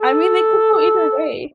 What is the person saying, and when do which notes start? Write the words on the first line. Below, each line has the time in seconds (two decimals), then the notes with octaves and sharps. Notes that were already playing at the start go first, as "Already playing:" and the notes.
I mean, they could go either way,
0.01 A4